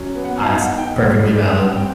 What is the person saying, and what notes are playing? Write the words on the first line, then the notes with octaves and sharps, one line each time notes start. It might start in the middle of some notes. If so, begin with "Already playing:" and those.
Ah, that's perfectly valid.
Already playing: F#3 C#4
B3
F#5
D#4 F5
F#5
D#4
G5
G3 F#5
G3
G3 G5
F#5
C4 G5